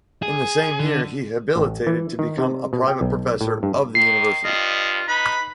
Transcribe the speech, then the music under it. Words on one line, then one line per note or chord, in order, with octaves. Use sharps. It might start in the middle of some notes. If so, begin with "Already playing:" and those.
In the same year he habilitated to become a private professor of the university.
G#4
D3
A1
E3
D#3
C3
B2
G5
B1
A2
G2
D#3 C7
G2 F4 D#5
D#4 B4 B5